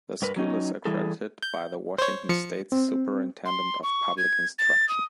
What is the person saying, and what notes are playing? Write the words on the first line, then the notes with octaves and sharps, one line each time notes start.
The school is accredited by the Washington State Superintendent of Public Instruction.
G2 A#4 B4
F#3 C#4 D#4
E3 G3 E4 G#4 A4
G6
C5 C#5
F3 C#7
C4
C6
C#6
G#6
A6
D#6